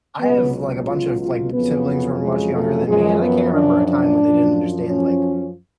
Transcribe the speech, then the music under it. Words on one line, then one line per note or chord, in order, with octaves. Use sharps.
I have, like, a bunch of, like, siblings who are much younger than me, and I can't remember a time when they didn't understand, like,
C#2 B2 F#3 B3
F4
F4
F2 C#3 F#3 B3
G#3
A3
F#2 F3 G#3
B3
D4
D4
F#2 F3
C#4